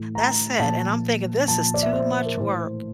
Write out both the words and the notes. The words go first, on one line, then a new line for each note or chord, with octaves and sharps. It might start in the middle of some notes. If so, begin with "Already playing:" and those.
That's it, and I'm thinking this is too much work
Already playing: A2 E3
A#5
A#2 F3 A5
A#2 F3 A5
D5
E5
C5
A#4
A2 E3 C5